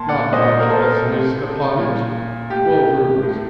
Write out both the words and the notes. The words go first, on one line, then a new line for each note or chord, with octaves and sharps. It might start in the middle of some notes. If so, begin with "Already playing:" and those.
"Not much, Vasily Stepanych--twelve rubles."
Already playing: A#2 A5 C6
D5 F#5
A#2 C5 D#5
A#4
A4 C5
A2
A#2
A2 G4
A2